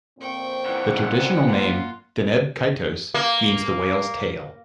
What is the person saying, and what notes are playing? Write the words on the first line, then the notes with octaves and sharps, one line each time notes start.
The traditional name "Deneb Kaitos" means "the whale's tail".
F2 A#2 C4 G5 C#6
C3 E3 F#5
A#3 F4
A#3